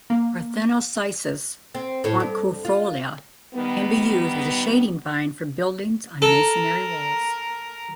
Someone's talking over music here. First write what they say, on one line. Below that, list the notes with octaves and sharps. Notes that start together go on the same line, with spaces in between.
"Parthenocissus quinquefolia" can be used as a shading vine for buildings on masonry walls.
A#3
C4
A2 C#5
G2
F4
D#3 G3 B3
A4 A#4